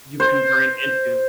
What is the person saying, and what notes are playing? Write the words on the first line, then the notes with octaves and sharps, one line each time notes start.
you can bring into
C5